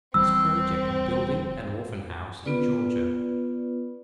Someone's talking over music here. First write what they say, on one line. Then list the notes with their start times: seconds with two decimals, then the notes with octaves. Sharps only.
His Project of building an Orphan House in Georgia.
0.14 D#1 E3 G3 C4 E6
2.45 B3 F4 B4 D5